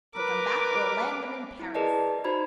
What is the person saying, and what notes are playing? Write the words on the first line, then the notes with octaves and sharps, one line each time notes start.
Take 'em back, or land them in Paris.
A#4 B4 D6
E4
G#4 A#4 B4 D5 D#5 A5
D#4 F#4 C5 A#5 B5 G#6